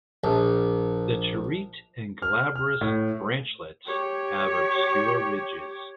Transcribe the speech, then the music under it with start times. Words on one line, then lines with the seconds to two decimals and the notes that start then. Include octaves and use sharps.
The terete and glabrous branchlets have obscure ridges.
0.24 A#1
2.22 F6
2.56 F6
2.81 A2
3.87 G4 C#5